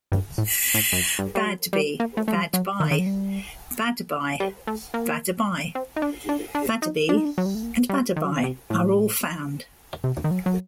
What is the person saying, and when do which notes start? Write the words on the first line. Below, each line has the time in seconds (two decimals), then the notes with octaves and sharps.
Badby, Badbye, Baddebi, Baddeby, Badebi and Badeby are all found.
0.12 G2
0.38 A2
0.74 A2
0.93 F#2
1.19 G2
1.35 G3
1.46 F#3
1.73 G3
2.00 A#3
2.17 A3
2.28 A3
2.35 G3
2.54 F#3
2.80 D#3
2.91 D#3
2.99 F#3
3.07 G3
4.40 G3
4.67 A3
4.94 A#3
5.75 C4
5.96 D#4
6.02 D4
6.29 D4
6.55 D4
6.82 D#4
7.09 D4
7.17 D#4
7.25 D4
7.38 F#3
7.46 G3
7.55 A3
7.63 A#3
7.89 G3
8.16 D#3
8.24 F#3
8.33 D#3
8.44 C3
8.70 A2
10.04 C3
10.24 D#3
10.31 F#3
10.46 F#3